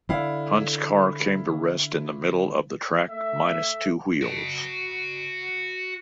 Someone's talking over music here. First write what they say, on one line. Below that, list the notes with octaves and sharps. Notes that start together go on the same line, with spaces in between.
Hunt's car came to rest in the middle of the track, minus two wheels.
D3 E4 F5
A3 E5
F#4 A5